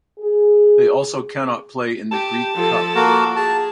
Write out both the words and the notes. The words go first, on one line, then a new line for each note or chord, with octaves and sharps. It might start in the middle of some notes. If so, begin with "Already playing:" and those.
They also cannot play in the Greek Cup.
G#4
G4 A5
F3 A4
A#3 F#4 A#4
G#4 A5